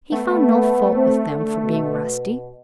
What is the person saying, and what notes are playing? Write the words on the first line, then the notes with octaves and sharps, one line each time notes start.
He found no fault with them for being rusty.
A3 B3
C4
D3
B2